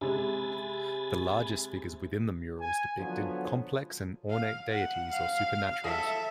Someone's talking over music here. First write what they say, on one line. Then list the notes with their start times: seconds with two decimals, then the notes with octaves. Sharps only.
The largest figures within the murals depicted complex and ornate deities or supernaturals.
0.01 C3 G#3 G#5 B5 A6
2.60 G#5
2.98 D3 F3 F#3 B3
4.30 F5
4.69 F#5
5.12 F5
5.84 A4 E5